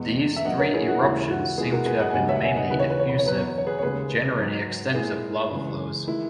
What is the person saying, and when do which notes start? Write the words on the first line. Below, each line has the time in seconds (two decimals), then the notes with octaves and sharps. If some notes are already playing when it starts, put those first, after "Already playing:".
These three eruptions seem to have been mainly effusive, generating extensive lava flows.
Already playing: E2 B2 G#3
0.36 E5
0.45 A#2 F#3 D#5 F#5
0.59 A#4 C#5
0.74 E4 G#4
0.88 F#4
1.02 D#2 C#3 E3 G#3 E4
1.30 F#4
1.58 A#2 G#3 E4 G#4
1.71 F#4 A#4
1.86 G#4 B4
2.00 D#5 F#5
2.10 G#5
2.14 D#2 C#3 F#3 D#5 F#5
2.29 C#5 E5
2.36 F#5
2.42 E5 G#5
2.56 D#5 F#5
2.70 D#2 C#3 E3 B4
2.80 C#5
2.90 B4
3.00 C#5
3.09 B4
3.19 C#5
3.26 E2 B2 F#3 B4
3.38 C#5
3.48 B4
3.58 C#5
3.67 G#4 B4
3.79 C#5
3.82 D#2 C#3 G#3 G#4 B4
4.38 G#2 F#3
4.94 A#2 G#3 E4 G#4
5.51 C#2 C#3 E3 G#3
6.07 D#3 G#3 E4